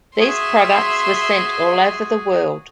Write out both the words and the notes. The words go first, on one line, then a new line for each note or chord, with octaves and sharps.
These products were sent all over the world.
F#4 G#4 E5 C6